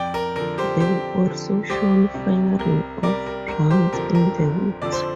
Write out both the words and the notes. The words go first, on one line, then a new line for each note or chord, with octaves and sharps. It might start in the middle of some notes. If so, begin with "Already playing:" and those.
They're also shown firing off rounds in the woods.
Already playing: F2 D5 G5
A#4
D3 F3 A#4
G4 C5
F2 G4 C5
D3 F3
C2 G4 C5
C3 G3
C2 A#4
C3 G3 A#4 D5
A#4
G1 A#4
G4 C5
F2 D3 F3 A#4
A#4
G1
F2 D3 F3 D5
C5